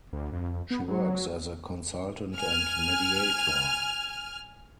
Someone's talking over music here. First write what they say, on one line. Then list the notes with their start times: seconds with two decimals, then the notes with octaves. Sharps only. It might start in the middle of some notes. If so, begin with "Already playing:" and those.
She works as a consultant and mediator.
0.13 D2
0.32 F2
0.71 B3
0.88 F#3
2.38 G#5 F6